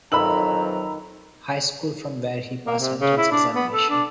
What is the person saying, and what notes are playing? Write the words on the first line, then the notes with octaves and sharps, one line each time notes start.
High School from where he passed Entrance examination.
F2 D#3 E3 F#3 A#5 B5 E6 F#7
A#3
C3
C#3
E4
D4
B3
A4
D4